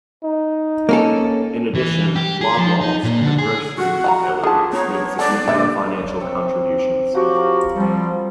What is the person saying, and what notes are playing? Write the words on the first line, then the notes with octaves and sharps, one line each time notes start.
In addition, Loblaws, the grocery retailer, made significant financial contributions.
D#4
A#3 C#4 A4
E3
G4
G#4
F3
D#4
A#2
D3
G#4
F#4 F#5
G3 F4 A#5
F4 G#4 A4 A5
B3 C#5 A#5
A4 D5
A#2 D3 G#3 G4 E5
C#5
C3 E5 C#6
F3 F#3 F#4 G4
A#4 F5 C6
F3 G3 C4 A4